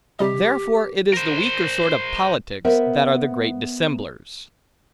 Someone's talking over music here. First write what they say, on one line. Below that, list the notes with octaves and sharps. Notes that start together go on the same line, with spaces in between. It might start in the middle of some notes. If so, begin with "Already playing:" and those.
Therefore it is the weaker sort of politics, that are the great dissemblers.
C3 G3 G4 D#5
A#4 C5
B3 A#4 C5 E5